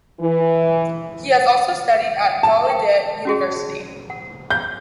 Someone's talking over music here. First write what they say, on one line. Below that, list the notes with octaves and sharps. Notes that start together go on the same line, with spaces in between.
He has also studied at Gallaudet University.
E3
A5
A#4 G5
C#4 F#4 G#4
F#5
G6